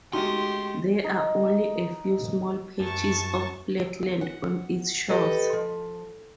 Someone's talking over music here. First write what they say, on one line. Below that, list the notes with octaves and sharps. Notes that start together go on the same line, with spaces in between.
There are only a few small patches of flat land on its shores.
G#3 A3 C#4 D#4 F#4 G4 C6
D#4
F#2 A5 C#6
F#5
G4 A4 B4 D#5
F3